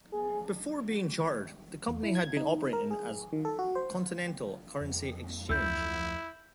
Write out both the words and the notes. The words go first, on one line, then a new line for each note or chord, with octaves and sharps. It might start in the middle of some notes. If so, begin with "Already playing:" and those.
Before being chartered, the company had been operating as Continental Currency Exchange.
G#4
E2
E4
G#6
D#4
A#4
G#4
D#3
A4
F#4
C5
F2
D2 E4 E6 G6